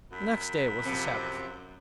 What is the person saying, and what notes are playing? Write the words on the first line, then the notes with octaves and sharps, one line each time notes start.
The next day was the Sabbath.
F#2 B5
F2 C3